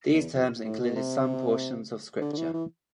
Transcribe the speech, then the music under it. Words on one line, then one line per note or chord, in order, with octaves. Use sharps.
These items included some portions of Scripture.
E2
F2
A2
B2
C3
D3
D3
E3
E3